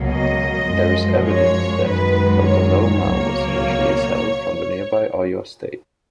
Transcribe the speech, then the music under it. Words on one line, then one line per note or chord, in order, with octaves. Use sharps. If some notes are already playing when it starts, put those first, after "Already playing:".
There is evidence that Babaloma was initially settled from the nearby Oyo State.
Already playing: C#2 B2 F#3 A#3
D#5
F#2 F3 G#3
C#5
F#2 D#3 G#3 B4
C#5
C#2 B2 F#3 A#3